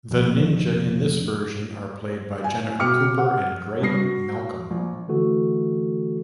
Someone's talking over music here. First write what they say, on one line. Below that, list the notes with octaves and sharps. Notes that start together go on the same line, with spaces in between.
The Ninja in this version are played by Jennifer Cooper and Graeme Malcolm.
F1 F3
G#5
B2 G5 D6 F6 C#7
F#5
G2 G3 B3 A#6 C7
F#4
A#1
D3 E3 A3 F#4 A4